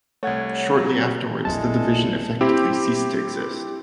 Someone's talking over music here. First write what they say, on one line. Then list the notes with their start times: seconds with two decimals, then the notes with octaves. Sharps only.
Shortly afterwards the division effectively ceased to exist.
0.23 C2 A3 C#5 F#5 G#6
0.78 F#3
0.93 C4
1.45 A#1 F2 F#3 G#3 D4 E4 A4 A5
2.41 C4 E4 G4